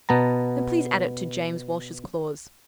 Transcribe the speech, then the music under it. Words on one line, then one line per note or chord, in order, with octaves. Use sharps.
Then please add it to James Walsh's clause.
B2 B3 A5 A#5